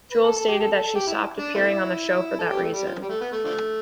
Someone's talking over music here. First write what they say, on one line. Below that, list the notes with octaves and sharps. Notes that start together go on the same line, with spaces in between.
Jewell stated that she stopped appearing on the show for that reason.
B4
A4
A4
G4
A4
A4
A4
G4
E4
D4
A3 C4 E4
A4
G4
G3
A3
G3
F3
G3
A3
B3
A3
D3 F3 A3